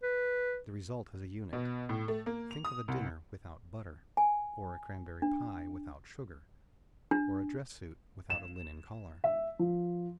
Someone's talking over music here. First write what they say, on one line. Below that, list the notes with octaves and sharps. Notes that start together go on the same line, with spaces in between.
The result is a unit. Think of a dinner without butter, or a cranberry-pie without sugar, or a dress-suit without a linen collar.
B4
B2
A2
A3
A#3
F7
D#6
C2
G#5
D4
D4
E7
E5
F3